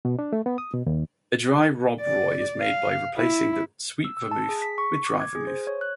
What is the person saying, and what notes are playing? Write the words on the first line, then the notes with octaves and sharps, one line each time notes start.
A "dry" Rob Roy is made by replacing the sweet vermouth with dry vermouth.
B2
D4
A3
B3
D#6
B2
D#2
D5
F5
E4
E6
E6
A5
G#4
B6
C#6
D6
G#6
G#4
C5
C#5
F#6